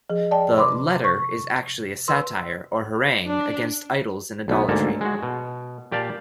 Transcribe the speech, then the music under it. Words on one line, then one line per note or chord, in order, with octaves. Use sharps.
The "letter" is actually a satire, or harangue, against idols and idolatry.
F3 G#4
D5 G5 A5
C3 B5 C6 D6
C#6
B4 C6 E6
D4
B1 B3
D2 G#2 A#3 A4 A5
G#3 F#4
B2
A#2 G4 D5 F5 A5